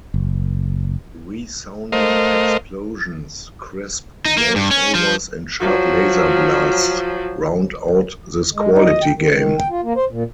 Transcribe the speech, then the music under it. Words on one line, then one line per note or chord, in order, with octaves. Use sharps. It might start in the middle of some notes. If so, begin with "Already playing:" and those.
Resounding explosions, crisp voice-overs, and sharp laser blasts round out this quality game.
F#1
A3 A#4 C5 D#5 F5
D#4
A#3
G2
C#4
F3
F3 F#3
G#3
D#4
D#5
G5
D#3
D#3
G5
F4
A#3
C5
A#2